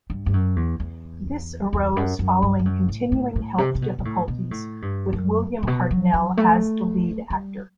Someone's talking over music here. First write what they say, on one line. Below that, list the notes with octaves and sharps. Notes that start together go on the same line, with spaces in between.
This arose following continuing health difficulties with William Hartnell as the lead actor.
G2
G2
F#2
E2
E2
E2
F#2
F#2
G2
G2
F#2
A2
A2
A2
C3
C3
B2
B2
A2
B2
A2
G2
F#2
A2
B2
F#3
F#3
A3
G3